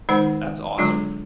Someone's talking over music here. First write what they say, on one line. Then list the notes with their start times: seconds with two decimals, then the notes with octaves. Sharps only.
That's awesome.
0.09 D#3 G#3 D#4 C5 F#5 B5
0.78 D3 F#3 G#3 D4 F4 G#4